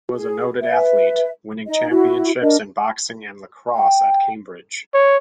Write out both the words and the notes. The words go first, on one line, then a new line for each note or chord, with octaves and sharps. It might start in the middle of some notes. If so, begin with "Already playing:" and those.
He was a noted athlete, winning championships in boxing and lacrosse at Cambridge.
G#4
B4 E5
D#4 D#5
E4 F#4
D4 A#4 D#5
G5
C#5